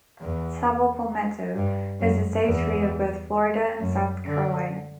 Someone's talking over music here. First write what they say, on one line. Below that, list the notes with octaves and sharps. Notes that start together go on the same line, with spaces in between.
"Sabal palmetto" is the State Tree of both Florida and South Carolina.
E2
G2
F#2
E2
F#2
D3